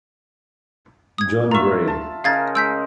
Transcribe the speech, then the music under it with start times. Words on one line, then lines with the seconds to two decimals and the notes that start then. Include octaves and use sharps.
John Gray.
1.18 D#6 G#6
1.51 F4 E5 A#5 C#6
1.87 A5
2.24 C#3 D#4 A#4 F5 G#6 A6
2.55 G#3 E6 G6 B6